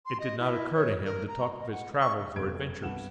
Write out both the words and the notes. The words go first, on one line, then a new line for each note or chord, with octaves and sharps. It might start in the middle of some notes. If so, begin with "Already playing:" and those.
It did not occur to him to talk of his travels or adventures.
C6
D#5
E4
C#5
A#4
A#5
D#5
F#5
C#6
F1 F#2 B3 G#6 D7
C2 G2 B3 G4 F#5 E7